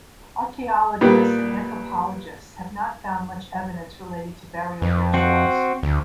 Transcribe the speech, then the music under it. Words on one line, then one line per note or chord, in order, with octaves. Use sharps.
Archeologists and anthropologists have not found much evidence related to burial rituals.
A#2 G3 B3
F2
C4 F#4
D2